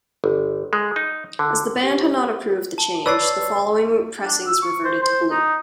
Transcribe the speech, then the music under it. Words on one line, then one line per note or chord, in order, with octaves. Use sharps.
As the band had not approved the change, the following pressings reverted to blue.
G1
G#3
D#4
D3
A5
B4 C#5 D5 E6 A6 C7
D4
E6
C#6
C5
C5
D#4